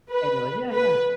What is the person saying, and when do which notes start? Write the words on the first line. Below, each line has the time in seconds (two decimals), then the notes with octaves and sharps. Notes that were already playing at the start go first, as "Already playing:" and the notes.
and you're like, "Yeah, yeah,
0.11 B4
0.74 B4